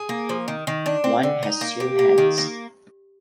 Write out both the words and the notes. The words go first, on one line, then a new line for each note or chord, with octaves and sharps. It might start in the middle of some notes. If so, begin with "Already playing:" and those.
One has two heads.
Already playing: G#4
A#3
F3
D#3
D#3
D4
C4
D3
D#4
A#3
G4
A#3
D#3
A#3